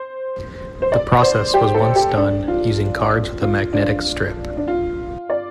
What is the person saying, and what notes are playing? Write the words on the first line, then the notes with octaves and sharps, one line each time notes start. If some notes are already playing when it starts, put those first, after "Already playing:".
The process was once done using cards with a magnetic strip.
Already playing: C5
C5
D5
C5
G4
A4
G4
D4
F4
F4
D4
D4
F4
D5